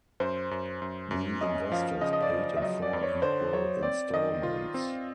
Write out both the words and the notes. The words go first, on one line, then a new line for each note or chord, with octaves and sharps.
The investors paid in four equal instalments.
F#2 C5
F#2
F#2
F#2
C#4 D#5
F3 F5
C#3 D#5
D#5
D5
F3
E5
F#3 D#5
D5
F2
C#5
D3 C5
F#3 C#5
C4 D5
D#3 D#5
F4
C4